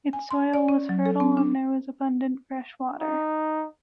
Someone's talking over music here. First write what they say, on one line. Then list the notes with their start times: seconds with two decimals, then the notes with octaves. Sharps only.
Its soil was fertile and there was abundant fresh water.
0.13 G#5
0.31 C6
0.53 D5
0.68 C#4
0.89 F#3
1.06 A4
1.20 C4
1.37 D4
3.00 D#4